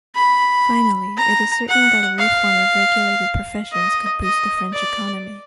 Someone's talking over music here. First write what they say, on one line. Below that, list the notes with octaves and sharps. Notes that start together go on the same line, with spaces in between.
Finally, it is certain that a reform of regulated professions could boost the French economy.
B5
A#5
F#5
F5
D#5
D#5
D5